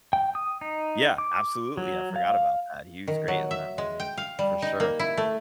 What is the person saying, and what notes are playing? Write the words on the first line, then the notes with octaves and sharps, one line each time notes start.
Yeah, absolutely, I forgot about that, he was great in that movie, for sure,
G5
D#6
D#4
D6
F#3
F5
D#3
F#3
E5
G#3
G5
F5
G3
D#4
A#3
E4
A3